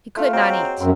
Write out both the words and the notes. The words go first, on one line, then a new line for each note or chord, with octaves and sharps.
He could not eat.
A3 F4 F5
F#3 G#3 A#3 C4
F#2 B3 C4